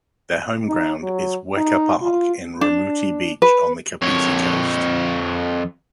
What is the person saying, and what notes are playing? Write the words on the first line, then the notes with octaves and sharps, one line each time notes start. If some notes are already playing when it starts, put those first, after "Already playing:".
Their home ground is Weka Park in Raumati Beach on the Kapiti Coast.
D#4
F#3
D#4
F4
D4
B4
F2 C#5